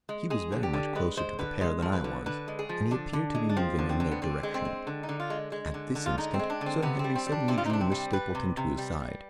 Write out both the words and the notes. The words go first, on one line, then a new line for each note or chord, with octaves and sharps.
He was very much closer to the pair than I was, and he appeared to be moving in their direction. At this instant Sir Henry suddenly drew Miss Stapleton to his side.
G#3
G#3 G#4
D3
G4
D3
G#3 B4
G#3 C5
D3 B4
G#3
F3
B4
D3
D3 B4
G#3
G#4
F3
D3 D4
D3
G#3
D4
F3 C4
D3
C4
D3
B3
D3 C4
G#3
C4
G#3
D3
D#4
D3
F4
G#3
G#3
D3
D3
F4
G#3 D#4
C4
G#3
D4
D3
C4
C3 B3
G3 C4
C4
G3
D4
C3 C4
F4
D#4
C3 D4
C4
G3
G3 B4
C3
C3
G3
G3